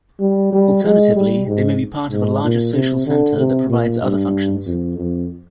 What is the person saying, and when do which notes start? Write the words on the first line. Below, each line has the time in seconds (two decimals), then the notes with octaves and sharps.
Alternatively, they may be part of a larger social center that provides other functions.
0.20 G3
0.52 G3
0.84 G#3
1.15 G3
1.47 G#2
2.10 G#2
2.43 A#2
2.74 C3
3.06 D3
3.38 C3
3.69 A#2
4.02 G2
4.66 F2
4.97 F2